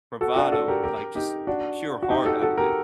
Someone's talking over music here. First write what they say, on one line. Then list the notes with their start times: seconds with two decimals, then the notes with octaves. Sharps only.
bravado, and, like, just pure heart out of it.
0.21 F#4 A4
0.36 D4 F#4
0.52 F#4 A4
0.68 G4 A#4
0.83 G4 A#4
1.15 D#4 G4
1.47 D4 F#4
2.03 F#4
2.10 D#4 G4
2.25 F#4 A4
2.42 F#4 A4
2.58 G4 A#4